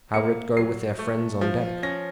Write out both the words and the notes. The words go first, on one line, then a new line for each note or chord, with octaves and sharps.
How would it go with their friends on deck?
A#3 C#7
F#3 C7
A3
F3
C#4 A#6